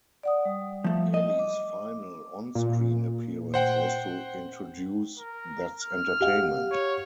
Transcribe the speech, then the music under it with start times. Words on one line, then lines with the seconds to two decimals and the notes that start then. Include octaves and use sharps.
Kelly's final on-screen appearance was to introduce That's Entertainment!
0.23 D5 F#5 D#6
0.45 G3
0.84 F3 A3
1.14 D#5
1.39 D6
2.55 A#2
3.54 C5 F#5 G5
5.18 A#4
5.83 F6
6.20 G4 F5 F#5
6.71 C#5